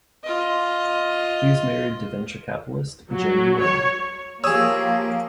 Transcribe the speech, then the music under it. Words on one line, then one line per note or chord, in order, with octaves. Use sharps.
He is married to venture capitalist Jenny Morel.
F4 D#5
F#3
C#5
F3 A#3 G4 G#4 C#5 D#6 E6